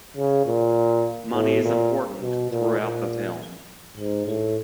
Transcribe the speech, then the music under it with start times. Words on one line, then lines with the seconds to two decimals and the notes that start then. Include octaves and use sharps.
Money is important throughout the film.
0.17 C#3
0.46 A#2
1.34 A2
1.63 A#2
2.22 B2
2.51 A#2
2.80 A#2
3.97 G#2
4.26 A2